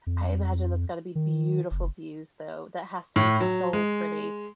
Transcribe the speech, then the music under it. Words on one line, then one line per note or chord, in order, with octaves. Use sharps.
I imagine that's gotta be beautiful views, though. That has to be so pretty,
F2
D#3
F#1
A2
F#3
G#3